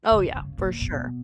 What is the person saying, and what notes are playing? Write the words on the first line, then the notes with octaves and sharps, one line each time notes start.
Oh, yeah, for sure.
C#3
C#3
A#2
B2